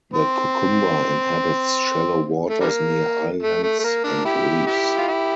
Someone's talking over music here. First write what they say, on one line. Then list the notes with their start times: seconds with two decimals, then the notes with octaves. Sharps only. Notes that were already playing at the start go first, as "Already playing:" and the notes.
The cucumber inhabits shallow waters near islands and reefs.
0.13 C4
2.49 A3
2.60 D3 G3 A#3
3.43 A3
3.63 A3
3.79 A3
3.84 A#3
4.04 A#3 D4
4.25 E4 G4
4.66 E4 G4
4.97 F4
5.07 E4 G4